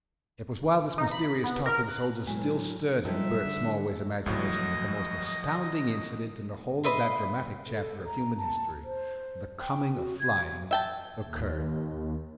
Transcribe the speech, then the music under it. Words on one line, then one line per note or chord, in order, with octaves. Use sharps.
It was while this mysterious talk with the soldier still stirred in Bert Smallways' imagination that the most astounding incident in the whole of that dramatic chapter of human history, the coming of flying, occurred.
D#4
B5
B3
A#4
F#6
A2 F#3 G#3
F3 G3 D#4 A4 E5
D3
C2 A2 D#3 F3 F#3 D#5
B4 D#5 E5 C6
A4
A#5
A5
C5
G5
F#4
G#6
E5 G5 A5
D#2